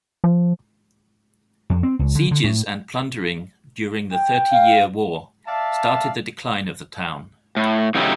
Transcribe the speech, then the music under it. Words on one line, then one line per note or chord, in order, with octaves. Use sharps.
Sieges and plundering during the Thirty Year War started the decline of the town.
F3
F2
C4
C#2
D3
D3
A2
G5
F5
D5 E5 F5 A5
A2
A2 C#3 F#3 D#4 E4 G4